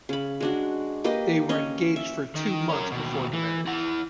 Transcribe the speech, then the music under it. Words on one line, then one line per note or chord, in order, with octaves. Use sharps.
They were engaged for two months before the marriage.
C#3 B5
G#3 D4 F#4
A#3 G4 B4 D#5
C#4 D#5 C#6
E5
D#3
C#4 A#4
D#2 B2
E3
E4 F#5